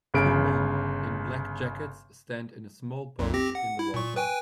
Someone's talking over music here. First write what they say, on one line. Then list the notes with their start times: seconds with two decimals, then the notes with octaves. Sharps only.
Two men in black jackets stand in a small boat in the water.
0.14 G1 C#3 D7
3.19 B1 F2
3.34 C4 G4 A#6
3.55 F#5
3.79 E4
3.94 A#2 C#6
4.16 B4 G5 G#5